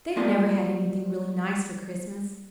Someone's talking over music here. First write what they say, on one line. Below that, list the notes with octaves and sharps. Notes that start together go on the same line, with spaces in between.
They've never had anything really nice for Christmas.
G3 A#3 F4 A4 D#5 C6